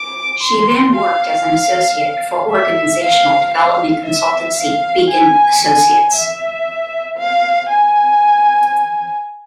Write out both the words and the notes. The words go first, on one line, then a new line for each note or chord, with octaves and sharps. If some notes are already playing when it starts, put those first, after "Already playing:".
She then worked as an associate for organisational development consultancy, Beacon Associates.
Already playing: D6
C6
F5
E5
F5
F5
E5
F5
G#5
G#5
E5
F5
G#5